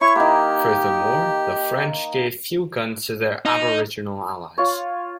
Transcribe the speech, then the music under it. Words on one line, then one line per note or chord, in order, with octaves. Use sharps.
Furthermore, the French gave few guns to their aboriginal allies.
E4 C#5 C#6
D#3 A#3 G4
D#4
F4 C#5